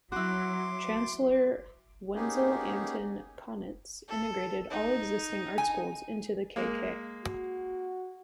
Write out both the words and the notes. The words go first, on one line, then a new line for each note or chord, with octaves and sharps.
Chancellor Wenzel Anton Kaunitz integrated all existing art schools into the k.k.
F#3 E4 F#4 C6 D6
A#3 B3 C#4 D#4 G4 G#4
A4
D#4
G#5
G#3 A#3
F#4